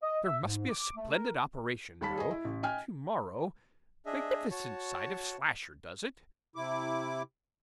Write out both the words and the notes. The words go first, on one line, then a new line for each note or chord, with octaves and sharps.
There must be a splendid operation, though, to-morrow--magnificent sight if Slasher does it.'
D#5
E5
G#2
D6
A3
A#4
D#2 G3 A5 B5 B6
G#4 D#5
E4
A1
D#5 G5 G#5 F6
D4 G#4 D#5 E5
F#4 C#5 A5
C3 E4 D6